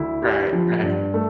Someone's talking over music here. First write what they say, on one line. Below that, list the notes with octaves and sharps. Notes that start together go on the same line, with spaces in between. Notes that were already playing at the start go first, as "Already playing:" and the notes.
Right, right.
Already playing: D2 E4
G4
F3
G2
A3